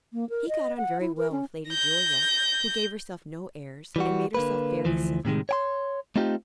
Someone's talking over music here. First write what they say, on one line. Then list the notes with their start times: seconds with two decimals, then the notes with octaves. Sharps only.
He got on very well with Lady Julia, who gave herself no airs, and made herself very civil.
0.13 A#3
0.30 A#4
0.49 D#5
0.77 F#5
1.00 E4
1.17 A#4
1.32 C#4
1.70 G6 A#6
3.96 E3 G3 F#4
4.34 D3 A#3 B4
4.85 D2 G2 E3 F3
5.25 A2 C3 D#3 G#3
5.49 C#5 G5 C6
6.16 A3 C4 D#4 F4 G4